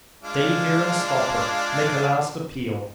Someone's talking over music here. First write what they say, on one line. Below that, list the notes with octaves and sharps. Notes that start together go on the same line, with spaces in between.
'Stay here and stop her!--make a last appeal!
G#3 D4 F4